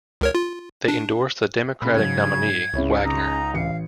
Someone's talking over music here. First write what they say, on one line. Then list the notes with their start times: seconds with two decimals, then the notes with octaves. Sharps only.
They endorsed the Democratic nominee Wagner.
0.21 C#2 A#4 C#5
0.35 F4
0.88 D4
1.82 A#2 C#3 B5
1.94 G#2 C#3 F#3 G#6
2.74 C#2 C#3 E4 C#5
3.05 C#3 D#4 A#5
3.54 A1 F5 C#7